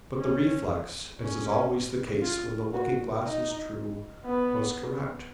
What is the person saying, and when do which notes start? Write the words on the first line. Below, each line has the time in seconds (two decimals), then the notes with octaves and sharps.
But the reflex, as is always the case when the looking-glass is true, was correct.
0.18 C#4
1.20 C#4
2.22 F4
2.73 F#4
3.24 D#4
4.25 B3